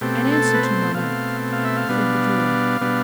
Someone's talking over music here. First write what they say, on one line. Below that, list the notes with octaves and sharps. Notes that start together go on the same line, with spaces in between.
"An answer to my note," said the jeweler.
B2 A3 C4 G4
A4
B4
C5
B2 A3 C4 F5
F5
E5
F5
B2 G3 B3 D4
B2 G3 B3 D4